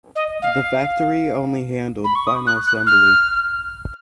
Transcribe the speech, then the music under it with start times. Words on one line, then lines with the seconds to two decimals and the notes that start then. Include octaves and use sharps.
The factory only handled final assembly.
0.16 D#5
0.42 F5
2.04 B5
2.15 C#6
2.27 D#6
2.47 F#6
2.67 F#6
2.87 F6